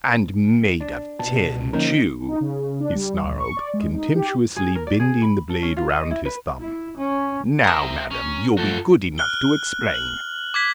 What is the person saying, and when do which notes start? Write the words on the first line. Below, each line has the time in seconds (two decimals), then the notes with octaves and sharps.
And made of tin, too!" he snarled, contemptuously bending the blade round his thumb. "Now, Madam, you'll be good enough to explain.
0.81 D4
1.19 B2 A5
1.73 D3 F3 A#3 C#4 D#4 A#4
2.28 D#4
2.41 C#3
2.80 D4
2.95 G3
3.23 D2
3.40 C#6
3.57 D5
3.74 G#3
3.94 D#4
4.15 G4
4.56 G#4
4.75 A#4
4.87 D5
5.00 G#4
5.22 B5
5.49 A4
5.63 C#4
5.77 F4
5.90 D#5
6.11 E4
6.25 B4
6.60 E4
6.97 C#4
7.64 A#4 C5 E5 D#6
8.11 C#4
8.57 F3 A3 F#4 A4 G6
9.18 F6 F#6 G7
9.94 F#7
10.54 D6 G#6 B6